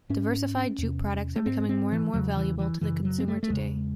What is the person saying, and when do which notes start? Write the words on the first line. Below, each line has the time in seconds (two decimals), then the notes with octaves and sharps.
Diversified jute products are becoming more and more valuable to the consumer today.
0.09 G#2 C#4
0.78 E2 C3
1.36 A3
1.46 G#2 C4
1.69 C4
1.92 E3
2.14 E2 C#3 F#3
2.37 E3
2.59 E3
2.81 F#2 C#3 E3
3.05 F#3
3.18 C4
3.28 A3
3.43 A3
3.50 E2 C#3 G#3